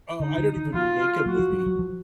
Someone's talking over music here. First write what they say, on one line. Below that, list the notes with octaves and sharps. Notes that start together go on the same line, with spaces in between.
Oh, I don't even make 'em with meat.
D3 D#4
D3
D#3
F3 F4
F#3 F#4
F3
F#3
F#3
F3